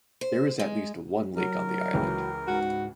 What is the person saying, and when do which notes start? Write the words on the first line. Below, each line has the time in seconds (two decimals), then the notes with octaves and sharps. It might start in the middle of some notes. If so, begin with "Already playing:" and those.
There is at least one lake on the island.
0.21 C5
0.60 G#3
1.36 F#3 A#4
1.94 C#2 E3
2.47 G#2 F#4